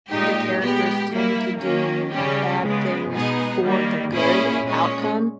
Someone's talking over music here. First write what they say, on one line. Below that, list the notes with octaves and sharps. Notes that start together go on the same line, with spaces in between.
the characters tend to do bad things for the good outcome,
A#2 G#3 D#4 G4
G#3 B3 G4
G3 A#3 E4
D#3 A#3 C#4
C#3 G3 C#4 G4
C#3 G#3 B3
B2 G#3 B3 D#4 G#4
D#3 G3 A#3
A#2 A#3 C#4 E4 G#4
A#2 G#3 C#4